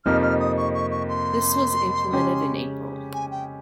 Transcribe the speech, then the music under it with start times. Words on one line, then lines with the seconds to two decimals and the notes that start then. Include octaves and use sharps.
This was implemented in April.
0.05 F2 C3 F3 A#3 D#4 F6
0.23 F6
0.40 D#6
0.57 C#6
0.74 C#6
0.91 C#6
1.09 C6
2.11 C#3 G#3 C#4 G4
3.14 G#5
3.31 G5